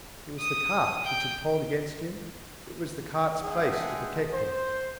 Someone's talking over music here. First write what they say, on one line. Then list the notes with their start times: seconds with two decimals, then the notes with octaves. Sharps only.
It was the cart which had told against him, it was the cart's place to protect him.
0.39 D#6
1.04 G5
3.44 G#3 D4 G#4 E5 F#5 G5
4.33 C5